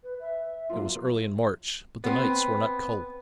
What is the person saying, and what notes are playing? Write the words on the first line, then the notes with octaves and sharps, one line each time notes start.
It was early in March, but the nights were not cold.
B4
E5
F#3 A#3 F4
B3 C4